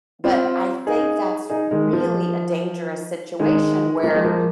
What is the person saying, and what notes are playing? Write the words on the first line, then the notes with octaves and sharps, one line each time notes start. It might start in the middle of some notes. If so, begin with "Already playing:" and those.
But I think that's really a dangerous situation where
C4 F4
D#4 G#4
D#4 G#4
D#3 G#3
F3
D#3 G#3
F3 A#3
G#3
F3 A#3